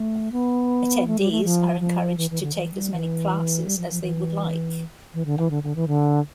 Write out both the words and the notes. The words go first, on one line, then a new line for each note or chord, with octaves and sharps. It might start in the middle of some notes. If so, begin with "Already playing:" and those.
Attendees are encouraged to take as many classes as they would like.
Already playing: A3
B3
A3
G3
A3
F3
F3
E3
E3
D3
E3
G3
E3
G3
F3
F3
E3
E3
D3
E3
D3
D3
E3
D3